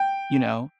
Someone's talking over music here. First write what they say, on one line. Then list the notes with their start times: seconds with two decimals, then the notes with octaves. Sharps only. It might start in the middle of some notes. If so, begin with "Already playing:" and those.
you know,
Already playing: G5